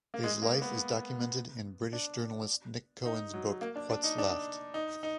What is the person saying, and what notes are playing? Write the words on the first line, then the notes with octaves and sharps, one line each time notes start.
His life is documented in British journalist Nick Cohen's book "What's Left".
A#3
G#3
A#3
B3
D4
D#4
F#3
A#3
D4
D4
D#4
D4
D#4
D#4